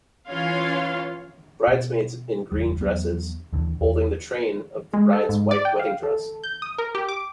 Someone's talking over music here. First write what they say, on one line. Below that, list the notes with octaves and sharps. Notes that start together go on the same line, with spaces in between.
Bridesmaids in green dresses holding the train of the bride 's white wedding dress.
E3 C#4 F4 C#5 F5 C6
B2
F#1 E2 G3
E2 F#3 B3
D#2 A#2 D3 E3
E2
G#3
A4
G#2
D5
G5
F5
A4
G6
D#6
A#4
G4
D6